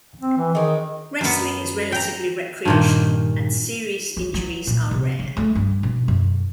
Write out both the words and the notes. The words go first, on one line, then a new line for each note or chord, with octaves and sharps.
Wrestling is relatively recreational, and serious injuries are rare.
C4
E3
D#3 G#3 C4
F#2 B3
G5 A#5
G2 A#2 D#3
E3
F#3
A#2
C3
C#3
A3
G2
B2
F#2